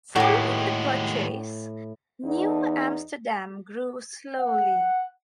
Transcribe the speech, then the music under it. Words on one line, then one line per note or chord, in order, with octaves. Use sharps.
Following the purchase, New Amsterdam grew slowly.
D#2 A2 G#3 F#4 G4
E2 D#4
F#5